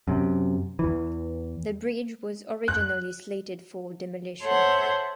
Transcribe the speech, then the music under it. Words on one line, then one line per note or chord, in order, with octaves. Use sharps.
The bridge was originally slated for demolition.
F#2 C3
E2 E3
F#6
A4 C5 C#5 E5 F#5 G6